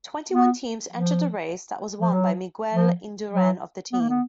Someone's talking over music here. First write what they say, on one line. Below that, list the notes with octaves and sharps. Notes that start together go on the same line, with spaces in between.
Twenty-one teams entered the race that was won by Miguel Indurain of the team.
B3
F3
F3
F#3
F3
F#3
B3
A#3
B3